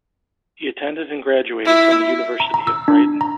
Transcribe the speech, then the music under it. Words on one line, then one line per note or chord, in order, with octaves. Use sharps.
He attended and graduated from the University of Brighton.
E4
A#5
A#5
E6
D4
A#5